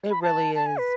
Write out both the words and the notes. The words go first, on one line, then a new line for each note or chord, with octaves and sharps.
It really is.
B5
A5
A5
G#5
B4